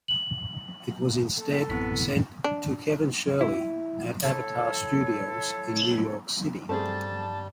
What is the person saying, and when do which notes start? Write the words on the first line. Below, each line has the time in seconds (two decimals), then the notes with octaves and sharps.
It was instead sent to Kevin Shirley at Avatar Studios in New York City.
0.08 F#7
1.38 A4
1.70 A1 F#2 B3 C4 E4 B6
2.44 D4
3.41 E4
4.22 E4 A4 C#5
6.69 G2 G3 A3 C4 G#4 A5